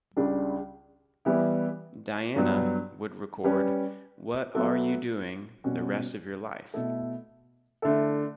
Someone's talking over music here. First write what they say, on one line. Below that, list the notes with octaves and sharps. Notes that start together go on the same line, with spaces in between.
Diana would record What Are You Doing the Rest of Your Life?
C#2 C#3 G3 D4
E3 G3 B3 E4
G2 F#3 B3
G3 C#4 G4 B4
F#3 B3 F#4 A4 E5
B2 G3 C#4 F#4
B2 A3 E4 A4
D3 A3 E4 A4